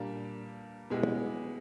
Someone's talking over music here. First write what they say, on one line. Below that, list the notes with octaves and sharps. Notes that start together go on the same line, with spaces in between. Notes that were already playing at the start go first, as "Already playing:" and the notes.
Sometimes several towns united to hold one in common.
Already playing: A#2 G3 A#3 D4
B2 G#3 B3 E4 G4